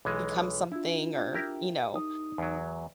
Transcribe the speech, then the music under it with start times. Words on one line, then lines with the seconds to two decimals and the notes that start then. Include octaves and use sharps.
become something or, you know.
0.05 B1 E3 G#3
0.72 D4 E4 F4
1.34 E4 G4 A#4
1.94 D#4 D#6
2.38 E2 F#3